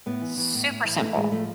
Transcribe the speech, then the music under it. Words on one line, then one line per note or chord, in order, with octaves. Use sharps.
super simple.
A2 B3
E3
E3
A2
A2
E3
E3 A3
A2 G#3
F3 A3